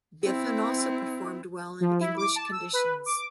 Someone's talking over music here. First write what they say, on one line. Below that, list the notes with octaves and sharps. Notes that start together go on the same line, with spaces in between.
Giffen also performed well in English conditions.
C4 E4
F3
E4
D6
A5
E6
B4
D6